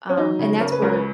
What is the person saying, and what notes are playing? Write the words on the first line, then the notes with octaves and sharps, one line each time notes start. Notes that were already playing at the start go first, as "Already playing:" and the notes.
Um, and that's where
C#4
F#3 D#4
C#3
C#3 A#4
B4
C#2 A#4
B4